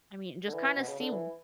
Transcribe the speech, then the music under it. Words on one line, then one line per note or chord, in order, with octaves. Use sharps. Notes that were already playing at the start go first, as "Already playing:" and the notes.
I mean, just kinda see w
D3
E3
B2
C#3
D3
E3